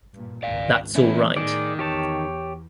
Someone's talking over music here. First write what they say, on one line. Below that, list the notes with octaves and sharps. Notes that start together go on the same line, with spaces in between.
That’s all right.
G2 A#2
G#1 C#2 D5 F5
E3 B3 C#4 E4
A2 D#3 G#4 D5
E2 G4 C#5 A5